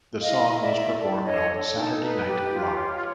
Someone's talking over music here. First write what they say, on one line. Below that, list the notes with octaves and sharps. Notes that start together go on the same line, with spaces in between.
The song was performed on "Saturday Night Live".
E4 D#5 F5
E4
F5
D5 E5
E4
A4 D5
D4 C#5 D#5
A4
D#4
B4
G4
F4
C#5